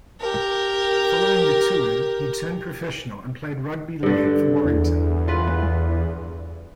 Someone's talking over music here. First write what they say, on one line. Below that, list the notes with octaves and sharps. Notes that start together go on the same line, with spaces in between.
Following the tour he turned professional and played rugby league for Warrington.
G4 A#4
G2 D3
E2
F4 B4